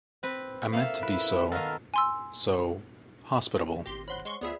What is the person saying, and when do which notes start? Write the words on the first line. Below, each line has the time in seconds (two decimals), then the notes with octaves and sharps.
I meant to be so — so — hospitable.
0.23 C4 B4
0.73 A#3 A4 E5 F5
1.03 E4 B4
1.52 D#3 B3 A4 A#4 F5
1.94 G#5 C6 E6
3.86 G#1 G4 C6 A#6
4.08 C5 C#5 F#5 B5 C6 F#6
4.25 G#3 C6 C#6
4.41 D2 B3 F4 G#4 D5 E5 B5